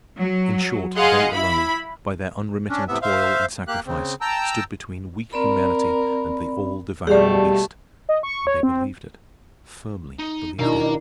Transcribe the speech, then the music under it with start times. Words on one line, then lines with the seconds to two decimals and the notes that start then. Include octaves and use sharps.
In short, they alone, by their unremitting toil and sacrifice, stood between weak humanity and the all-devouring beast; and they believed it, firmly believed it.
0.19 F#3
0.97 G#4 D#5 F5 F#5 C6
1.32 E4 B5
2.69 C#4 D4
2.88 A2 C3 B3 E5
3.02 C5 E5 F5
3.68 A#3 G4 F#6
3.86 C#3 C4
4.21 G5 A5 A#5 E6
5.33 C4 A#4 D5 B5
7.07 B2 G3 A3 G4 G#4 D5 F5 A5
8.09 D#5
8.23 C#6
8.47 C#5
8.63 C4
10.19 D#4
10.59 B2 D#3 D4 E4 F5 A#5